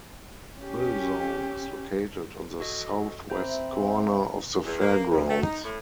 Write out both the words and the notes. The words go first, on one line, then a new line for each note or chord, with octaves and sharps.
Thrill Zone is located on the southwest corner of the Fairgrounds.
C#4 G4
F#4 A4 D#5
C4 C5 E5 A#5 B5
E2
A#3
F2
A3
D#4
A2